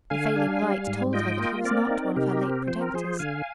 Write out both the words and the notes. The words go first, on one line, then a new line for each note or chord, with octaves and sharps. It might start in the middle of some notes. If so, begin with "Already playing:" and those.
The failing light told her that he was not one of her late protectors.
D3 F5 G#5
D4
G3
G#2
F4 D#5 G5
A#3
C4 A#4 D5
D#4
C3 G4 A#4
C4
F3 C5
A#4
F3 G#4 C5
D3 F5 G#5